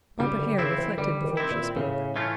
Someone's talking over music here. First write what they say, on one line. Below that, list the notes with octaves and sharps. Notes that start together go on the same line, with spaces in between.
Barbara Hare reflected before she spoke.
C#3 G3
D3
C#3 C4 E4
E3
D3 G3
D#3
C4 E4
A#2
A2 C#3
E3 A3 C#4 F4